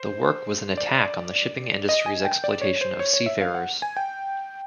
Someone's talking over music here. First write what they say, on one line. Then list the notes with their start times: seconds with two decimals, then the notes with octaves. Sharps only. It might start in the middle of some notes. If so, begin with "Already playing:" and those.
The work was an attack on the shipping industry's exploitation of seafarers.
Already playing: C5
0.78 D5
1.89 D#5
2.06 G#5
2.25 G5
2.44 D5
2.61 C#5
2.81 C5
3.00 C#5
3.13 C#5
3.26 E5
3.41 F5
3.55 F#5
3.82 G#5
3.97 G5